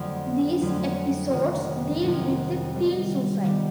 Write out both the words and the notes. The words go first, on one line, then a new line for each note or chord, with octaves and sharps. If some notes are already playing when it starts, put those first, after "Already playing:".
These episodes deal with teen suicide.
Already playing: F2 D3 F#3 A3
F2 D3 F#3 A3
F2 C3 D#3 F#3 A#3
F2 C3 D#3 F#3 A#3
D#3 G3 B3
D#3 G3 B3